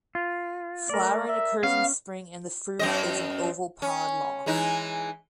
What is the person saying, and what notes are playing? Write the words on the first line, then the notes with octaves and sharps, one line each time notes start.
Flowering occurs in spring and the fruit is an oval pod long.
F4
A3 A#4 D5
E5
B3 C#4 F5
F#2 C4 D#5
C#4
E3 G#3 D#4